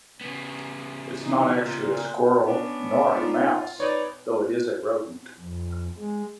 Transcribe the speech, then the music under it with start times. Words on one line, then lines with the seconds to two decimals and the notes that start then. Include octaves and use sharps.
It is not actually a :squirrel, nor a :mouse, though it is a rodent.
0.21 C#3 B3
1.23 E3 D#4
1.55 A#2
2.46 B3 C#4 D4
3.17 D#4 F4
3.80 D#4 B4 C#5 D5
5.39 F2
5.98 G#3